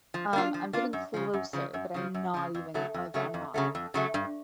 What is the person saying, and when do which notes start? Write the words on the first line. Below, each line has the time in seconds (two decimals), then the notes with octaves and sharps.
um, I'm getting closer, but I'm not even like, I'm not there,
0.14 F3
0.33 A#3 D4 F4
0.54 F3
0.73 A#3 D4 F4
0.93 F#2
1.14 C#3 F3
1.34 F#2
1.53 C#3 F3
1.74 F#2
1.94 C#3 F3
2.14 F#2
2.34 C#3 F3
2.55 F2
2.74 C#3 F#3 A3
2.94 F2
3.14 C#3 F#3 A3
3.34 F2
3.54 C#3 F#3 A3
3.75 F2
3.94 C#3 F#3 A3
4.14 G2